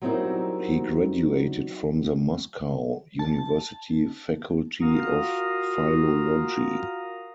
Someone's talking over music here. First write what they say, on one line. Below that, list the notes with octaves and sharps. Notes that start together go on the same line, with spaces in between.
He graduated from the Moscow University faculty of philology.
F#3 G3 C4 D#4 E4 A#4
A5
F4 F#4 A#4 F5 A#5 D#6